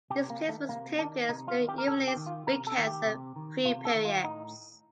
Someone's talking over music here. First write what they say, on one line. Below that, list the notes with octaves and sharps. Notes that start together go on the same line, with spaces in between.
These placements take place during evenings, weekends and free periods.
C3 G4
A#3
D#3
A3
C3 A#3
D#3 D4
C3 D#4
F4
D#3
G4
A#4
C3 A4
G4
D#3
F4
C3 A#4
A4
D#3
G4
C3
D#3
C3 F4
A4
D#3
F4
A2 D#4